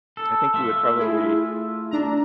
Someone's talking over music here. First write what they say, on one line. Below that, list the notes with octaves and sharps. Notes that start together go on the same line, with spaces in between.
I think you would probably
A4
A3 F4 E5
E4 G#4
D4 A#5